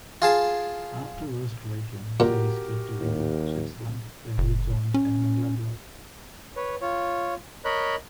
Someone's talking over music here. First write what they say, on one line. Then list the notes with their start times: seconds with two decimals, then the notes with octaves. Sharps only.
After the Restoration, Say escaped to Vevey, Switzerland, where he joined Edmund Ludlow.
0.22 F4 G#4 A5
2.20 A#2 F#4 G4 A#4
3.00 D#2
4.38 F#1
4.94 C#4
6.56 B4 C#5
6.81 F4 C#5
7.65 A#4 C#5 D#5 B5 F#6